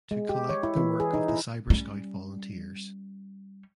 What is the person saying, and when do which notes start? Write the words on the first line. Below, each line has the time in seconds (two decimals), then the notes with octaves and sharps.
To collect the work of the Cyber Scout volunteers.
0.11 G#3
0.29 G4
0.49 C#5
0.63 E4
0.76 E3
1.00 G#4
1.14 D#4
1.28 E4
1.70 G3 C#4